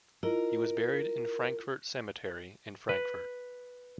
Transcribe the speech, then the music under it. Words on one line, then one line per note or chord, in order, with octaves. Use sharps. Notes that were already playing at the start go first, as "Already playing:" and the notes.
He was buried in Frankfort Cemetery in Frankfort.
E4 F4 A#4 D#5
B4